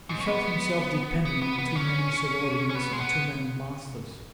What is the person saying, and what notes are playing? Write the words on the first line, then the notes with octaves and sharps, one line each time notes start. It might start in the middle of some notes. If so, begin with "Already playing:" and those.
He felt himself dependent on too many subordinates and too many masters.
G#2
C#4
B3
B3
B3
B3
C#4
C#4
B3
G#3
B3